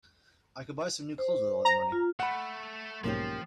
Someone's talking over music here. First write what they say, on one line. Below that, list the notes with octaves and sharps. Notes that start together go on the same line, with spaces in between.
I could buy some new clothes with all that money.
C5
A#5
F4
A3 F#5 B5
B1 G#2 F3 A#3 C#4 G4